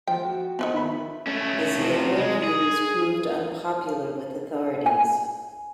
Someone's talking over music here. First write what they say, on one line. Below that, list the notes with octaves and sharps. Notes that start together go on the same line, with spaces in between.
His liberal views proved unpopular with authorities.
F3 G5
F#4
F3 B3 D4 D#4
D#3 E5 B5
A3 C#4
C3 F3
G#3
G#4
G#5